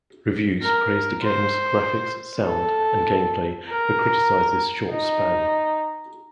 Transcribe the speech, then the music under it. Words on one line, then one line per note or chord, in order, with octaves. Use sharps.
Reviews praised the game's graphics, sound, and gameplay, but criticized its short span.
A#4
C5
A4
A#4
D#4